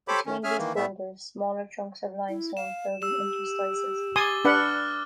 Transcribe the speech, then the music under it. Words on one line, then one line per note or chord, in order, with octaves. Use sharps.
Between these boulders, smaller chunks of limestone fill the interstices.
G4 A4 C5 C#5 B5 D6
D#3 C#4
C#4 G#4 E5 G#5 F6
D#3 E3 A#3
A2 G3 A3 B3 E5
E4
F5 E7
G4 E6 E7
G#5 C6 D6 D#6 A6 G7
D4 B4 F#5 D6 F6 F#6